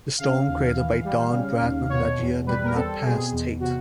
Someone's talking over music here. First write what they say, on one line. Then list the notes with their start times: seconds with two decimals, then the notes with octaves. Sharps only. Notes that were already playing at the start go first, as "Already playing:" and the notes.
The storm created by Don Bradman that year did not pass Tate.
0.18 C#3 F5
0.47 D#2
0.75 E3
1.04 G3
1.32 C#3
1.60 D#2
1.89 B2 C#5
2.17 E2
2.46 G3 B4
2.64 A#4
2.75 C4 A4
3.03 B2 G#4
3.32 E2
3.60 C3 F#4